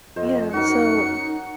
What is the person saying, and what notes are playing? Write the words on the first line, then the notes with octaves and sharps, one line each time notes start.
Yeah. So,
F2 C5 D#5
F#2 D#4 F#4 A#4 C#7